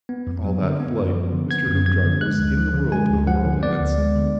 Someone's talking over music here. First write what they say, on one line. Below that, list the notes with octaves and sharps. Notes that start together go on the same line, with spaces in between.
For all that flight Mr. Hoopdriver was in the world of Romance.
B3
F2
F#3
D3
B3
F#2
F3
D3
B3 G#6
F#2
F3 G#6
D3
G#3 F#6
D2
F3
D3
G#3 G#5
D2
F3 F#5
D3
B3 D5
D2
G#3
D3